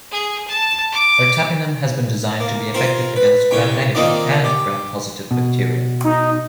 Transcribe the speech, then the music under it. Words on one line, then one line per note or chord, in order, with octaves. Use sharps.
Ertapenem has been designed to be effective against Gram-negative and Gram-positive bacteria.
G#4
A5
D6
A#3
C4 F4 A#4 C5
B4
C2 C#4 G5
D#3 A#3 C4 D#4 F4 D5
G4
B2
D#4